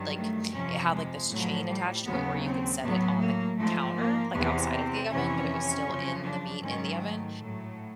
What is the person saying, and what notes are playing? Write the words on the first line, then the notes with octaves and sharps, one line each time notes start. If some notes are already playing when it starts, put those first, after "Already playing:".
like, it had, like, this chain attached to it where you could set it on the counter, like, outside of the oven, but it was still in the meat in the oven,
Already playing: G2 D#3 F#3
A3
F2 C3 F3 C#4
G#3
A2 F3 F#3
G3
D#2 C#3 F#3 B3
C4
A2 F#3 B3
A#3
G#2 F3 A3
A#3
E2 C3 E3 B3
C4
F2 C3 E3 C#4
F#2 C#3 F3
D4
G#2 D#3 F#3 C#4
A3
A2 F#3